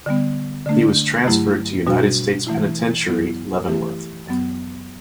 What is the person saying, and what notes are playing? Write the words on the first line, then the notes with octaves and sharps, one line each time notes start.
He was transferred to United States Penitentiary, Leavenworth.
D3 G3 B3
D3 A3 D4
G2 F#3 A3 E4
B2 G3 D4 F#4
E3 A3 E4
F#2 F#3 B3 E4
E3 A3 E4 G4
F#2 F#3 B3